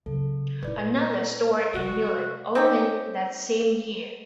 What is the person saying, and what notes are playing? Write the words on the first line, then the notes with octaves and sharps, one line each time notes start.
Another store in Milan opened that same year.
C#3 F#3 A4
A#2 E4 B4 D5
C3 F3 F#4
C4 C#4 D#4 G4